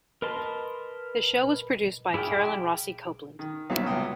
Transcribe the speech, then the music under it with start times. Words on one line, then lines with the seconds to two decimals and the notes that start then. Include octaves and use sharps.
The show was produced by Carolyn Rossi Copeland.
0.22 A#4 B4 D#5 A5 C6
2.14 E4 G#4 D5 F5 G5
3.39 D#3
3.70 C2 A#2 F#3 B3 E5
3.86 C#2 B3 G5 D#6